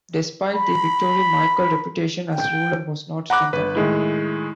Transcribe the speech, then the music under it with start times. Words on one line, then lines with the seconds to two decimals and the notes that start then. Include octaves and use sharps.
Despite the victory, Michael's reputation as ruler was not strengthened.
0.54 B5
2.33 G5
3.30 F#5 A#5 B5 D6 F#6
3.53 G1 B4
3.75 A2 D#3 G#3 E4